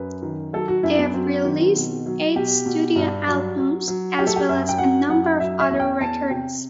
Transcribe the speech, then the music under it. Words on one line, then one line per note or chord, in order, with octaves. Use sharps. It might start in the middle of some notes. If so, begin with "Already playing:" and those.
They have released eight studio albums, as well as a number of other records.
Already playing: F#2 B4
D#3
F#3 A4
F#4
F#2 E4
B3
F#3 C4
D#3
B2
F#3
B2 G4
B2
G2
F#3
F#3
F#3
F#3 G4
A4
G4
F#2 E5
G5
F#3 F#5
F#2 F#5
F#3 E5
E5
E2
G5
E2 A5
C3 G5